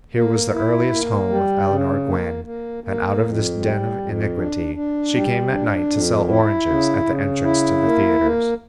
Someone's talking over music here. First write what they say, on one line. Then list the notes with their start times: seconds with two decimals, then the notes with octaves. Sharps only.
Here was the earliest home of Eleanor Gwyn, and out of this den of iniquity she came at night to sell oranges at the entrance to the theaters.
0.15 A#3
0.54 E4
0.91 A#3
1.29 G3
1.68 C#3
2.06 A#3
2.45 A#3
2.84 A#3
3.21 F2
3.60 G3
3.98 F2
4.37 D4
4.75 D4
5.14 G3
5.52 D4
5.90 F2
6.28 E4
6.66 C#3
7.05 C#3
7.44 E4
7.82 A#3
8.21 A#3